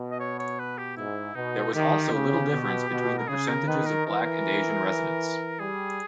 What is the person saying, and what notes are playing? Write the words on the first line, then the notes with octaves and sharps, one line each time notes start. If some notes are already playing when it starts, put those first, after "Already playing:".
There was also little difference between the percentages of black and Asian residents.
Already playing: B2
D#5
C#5
C#5
B4
G4
G#2 E4
B2 D#4
D#3 G4
C#3
B2
B2
A#4
C#3 G#4
A#4
D#3 B4
A#4
E3 A#4
G3 G#4